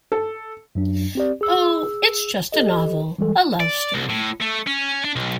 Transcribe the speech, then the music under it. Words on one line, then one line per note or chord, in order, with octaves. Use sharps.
Oh, it's just a novel, a love story.
A4
F#2 F#3 D4
C4 G4 D5
G#4 E6
G4 A4 D#5
E3 G3 G#3 A4
D5
C2
A2
A3
C#4
D4
B1